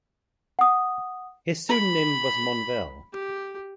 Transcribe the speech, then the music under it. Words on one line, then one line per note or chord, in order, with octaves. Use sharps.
His pseudonym was Monvel.
F#5 D#6
B5
G4